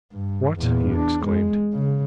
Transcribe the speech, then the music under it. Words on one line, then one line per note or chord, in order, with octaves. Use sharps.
"What!" he exclaimed.
G2
E2 A#2
D4
G#3
C#3